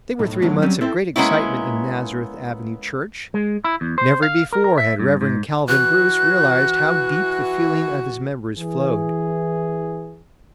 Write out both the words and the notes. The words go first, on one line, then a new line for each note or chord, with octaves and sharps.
They were three months of great excitement in Nazareth Avenue Church. Never before had Rev. Calvin Bruce realized how deep the feeling of his members flowed.
B1 A2
E2 A2 D3 F#3
G3 C4 C#4
C4 E4 A4 C5
G#3 A#3 B3 C#4 E4
G#3
E4
E2
C5
F5
A#4
A#4
E5
G2
G#2
E3 F#4 F#6
E3 G#4